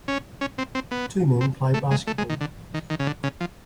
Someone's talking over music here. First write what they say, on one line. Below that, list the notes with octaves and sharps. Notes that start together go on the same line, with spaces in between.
Two men play basketball.
C#4
C#4
C4
C4
B3
C4
A3
G#3
A3
G#3
D#3
D3
D#3
D#3
C#3
D3
C#3
F3